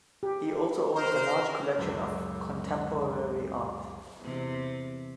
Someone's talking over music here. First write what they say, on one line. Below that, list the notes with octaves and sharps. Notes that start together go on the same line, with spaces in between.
He also owns a large collection of contemporary art.
G4
A#4 C5
F#1 C#2 E6
E2 C3